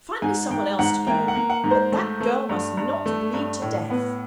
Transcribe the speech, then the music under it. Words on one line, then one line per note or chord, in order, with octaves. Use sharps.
'Find me some one else to go but that girl must not bleed to death.'
G#2 G#5
G#2 G5
G#2 F#5
A#3 G5
F#5
A#3
F#5
G#2
C5
A3
A3
G2
G2
A3
G2
A2
B3 B4